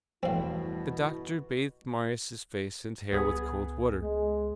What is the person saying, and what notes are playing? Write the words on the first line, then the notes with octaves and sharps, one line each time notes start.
The doctor bathed Marius' face and hair with cold water.
E2 G2 B2 A3 C4 E4 F5
C#2 B3 G#4
G#3